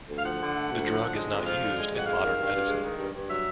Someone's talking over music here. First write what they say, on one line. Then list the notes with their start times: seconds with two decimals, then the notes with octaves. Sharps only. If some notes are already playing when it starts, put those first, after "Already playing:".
The drug is not used in modern medicine.
0.09 D2
0.18 F5
0.24 F3 F#5
0.40 D3
0.55 A3
0.70 D2
0.85 F3
1.01 D3
1.16 G#3
1.30 F2
1.46 F3 F5
1.61 D3
1.76 G#3
1.92 F2
1.99 F#5
2.06 G#3 F5
2.22 D#3
2.38 G2
2.53 G2
2.68 G#3
2.83 D#3
2.98 G2
3.13 G2
3.28 F#3 E5